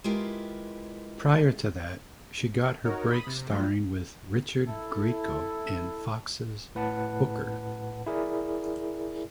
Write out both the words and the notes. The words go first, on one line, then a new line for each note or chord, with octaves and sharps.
Prior to that, she got her break starring with Richard Grieco in Fox's "Booker".
G#3 E4 F4 G4 A#4 B4
D#4 F#4 A#4 C#5
B5 D#6 D#7
C3
F#3 A3 F4
E4 A4
A2 B4 F#5 A5
E4 G#4 A#4 D5